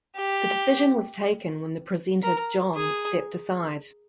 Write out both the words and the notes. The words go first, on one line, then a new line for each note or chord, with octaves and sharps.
The decision was taken when the presenter, John stepped aside.
G4
A#4
G#4